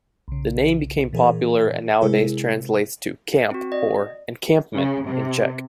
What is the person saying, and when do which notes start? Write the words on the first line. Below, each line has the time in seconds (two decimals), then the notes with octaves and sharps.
The name became popular and nowadays translates to "camp" or "encampment" in Czech.
0.28 B1 C#3
1.13 A#2 E3 G#4 A#4
2.01 C3 G#3 E4 G#4 A#4 C5
3.51 C4 F#4
3.72 D5 D#5
4.74 C#3
5.06 C3